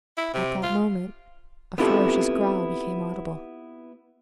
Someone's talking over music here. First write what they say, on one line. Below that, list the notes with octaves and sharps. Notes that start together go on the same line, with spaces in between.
At that moment, a ferocious growl became audible.
E4
C3
F4
B3 C4 E4 F4 G4 A4